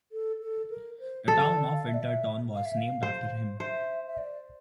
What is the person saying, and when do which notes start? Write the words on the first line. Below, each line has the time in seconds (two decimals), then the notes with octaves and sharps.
The town of Winterton was named after him.
0.12 A4
0.42 A4
0.70 A#4
1.00 C5
1.28 A4
1.43 D5
1.57 D5
1.72 F5
1.87 E5
1.94 D5
2.02 E5
2.55 F5
2.66 E5
2.77 F5
3.03 C5
3.60 C5 E5
4.07 E5
4.18 D5